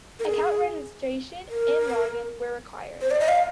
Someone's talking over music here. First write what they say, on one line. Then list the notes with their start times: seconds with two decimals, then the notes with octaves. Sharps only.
Account registration and login were required.
0.19 A#4
0.25 G#4
1.50 A#4
3.01 C5
3.11 D5
3.20 D#5
3.28 F5